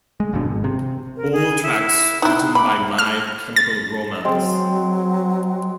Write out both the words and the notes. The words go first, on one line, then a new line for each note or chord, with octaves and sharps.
All tracks written by My Chemical Romance.
G#3
G1 F2 B2 D3
G#1
C3
A#4
G#4
E4
D#4 E4 F#6
B5 D6
F6
A6
F#3 G#3 C4